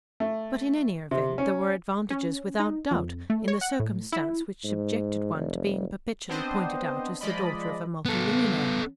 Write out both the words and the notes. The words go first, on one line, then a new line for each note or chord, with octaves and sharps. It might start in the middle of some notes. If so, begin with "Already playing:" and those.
But--in any event--there were advantages without doubt in the circumstance which subjected one to being perpetually pointed out as a daughter of a multi-millionaire.
A3
C3
C#4
C#4
D#4
F2
A3
C#5
F#5
A2
E4
G#2
F1
B3 C4 D4 C5 D#5
F3 G#3 D5 D#5 B5
B3 A4